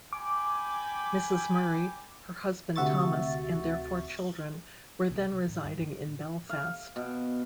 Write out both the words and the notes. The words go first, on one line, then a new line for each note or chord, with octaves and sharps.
Mrs Murray, her husband Thomas, and their four children were then residing in Belfast.
G5 G#5 B5 D6
D2 C3 F#4 E5 C#6 A6
F1 B1
A2
G2
B3
A2
F5
B2